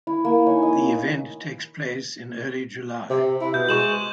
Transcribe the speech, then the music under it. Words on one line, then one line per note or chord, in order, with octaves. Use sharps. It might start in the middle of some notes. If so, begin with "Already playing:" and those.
The event takes place in early July.
E4
A#3
D#4 C#5 G#5
D#5 D#6
C3
E4
B2 G6
G#3 C#6 E7 F#7